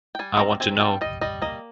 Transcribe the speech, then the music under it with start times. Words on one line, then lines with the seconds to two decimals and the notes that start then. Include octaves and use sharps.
I want to know.
0.15 G5
0.19 G3 G#5
0.39 C4 A#5
0.60 C4 G#5
0.80 G3 G5
1.01 G3 D#5
1.21 G3 D#5
1.42 A#3 D#5